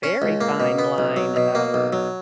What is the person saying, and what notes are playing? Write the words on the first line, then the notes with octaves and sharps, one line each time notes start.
very fine line of
C#4
C#2
A#3
B2
B3
B1
F#3
B2
A#3
B1
F#3